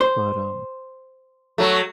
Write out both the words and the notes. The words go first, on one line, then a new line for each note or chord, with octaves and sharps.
But, um
C5
F#3 A3